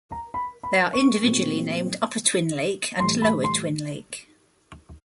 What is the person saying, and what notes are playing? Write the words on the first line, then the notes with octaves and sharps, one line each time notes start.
They are individually named Upper Twin Lake and Lower Twin Lake.
A#5
B5
B5
C#6
A#2 F#3 A3 C4
A2 E3 G3 C6
B5
C6